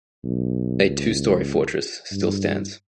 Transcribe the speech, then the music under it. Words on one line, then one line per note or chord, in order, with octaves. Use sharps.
A two-story fortress still stands.
B1
C#2
G2